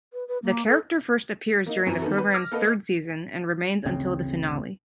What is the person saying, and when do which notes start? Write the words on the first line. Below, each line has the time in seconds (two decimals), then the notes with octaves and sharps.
The character first appears during the program's third season and remains until the finale.
0.13 B4
0.28 B4
0.43 A#3
0.68 A4
1.66 A#3 D#4
1.86 F#2 E3 C4
2.02 D#3 B3 A4
2.18 B4
2.34 D6 F6 A#6
2.52 A#3 A4 B4 D#5
3.85 D1 A1 C#3 C4